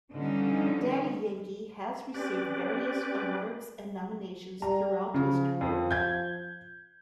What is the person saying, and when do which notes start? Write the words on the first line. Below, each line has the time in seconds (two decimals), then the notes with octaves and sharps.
Daddy Yankee has received various awards and nominations throughout his career.
0.12 D3 E3 F3 G3 C#4 D#4
2.14 C4 C#4 G4 B4 D5
4.62 G3 A#5
5.14 C#3 F3
5.61 F2
5.91 G6 G#6